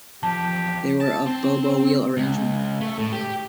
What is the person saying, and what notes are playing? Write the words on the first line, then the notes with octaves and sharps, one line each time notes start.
They were of Bo-Bo wheel arrangement.
E2 F3 G4 A5
A5
C4
C#2
A3
A2
G4